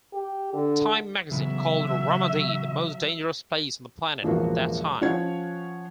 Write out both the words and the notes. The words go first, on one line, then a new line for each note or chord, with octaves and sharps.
"Time" magazine called Ramadi the most dangerous place on the planet at that time.
G4
D3
C#3 E3 F#3 B3 E5
E1 A1 F3 A#3 F#4
F3 C#4 C#5 F#5 G#6